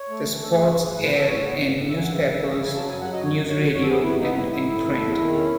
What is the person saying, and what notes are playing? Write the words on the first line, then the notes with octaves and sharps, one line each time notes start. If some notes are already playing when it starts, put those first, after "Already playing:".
The spots aired in newspapers, news radio and in print.
Already playing: C#5
A3
E3
A3 A4
G#4
C#3
F#4
E3 G#4
A2 B4
B4
B3
A4
A2 C#5
B3 C#5
A2
A2
C#3 E5
G#5
F#5
C#3
E5
C#3
C#3 E5
E5
C#3
G#5
F#3 A5
F#2 G#5
F#5
F#3
D#5
F#2 C#5
F#2
C#5
F#2
F#2 C#5
A4
B3 G#4
B3 E4
B3 D#4
A2 E4
A2
A2
A3
E2
D#3
C#4